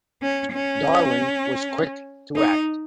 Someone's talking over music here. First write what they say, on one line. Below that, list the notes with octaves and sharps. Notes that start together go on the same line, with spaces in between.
Darwin was quick to act.
C#4
C#4
D#4